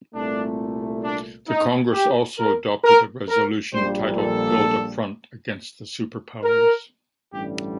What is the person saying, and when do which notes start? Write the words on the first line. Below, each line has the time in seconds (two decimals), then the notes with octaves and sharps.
The congress also adopted a resolution titled 'Build a front against the Super Powers'.
0.14 C2 A#2 A3 D4
1.04 D4
1.49 D#4
1.93 G4
2.39 A#4
2.84 A#4
3.29 A#4
3.73 A#1 A#2 G3 C5
4.19 A4
6.43 A#4
7.33 A1 G2 D3 G3 G4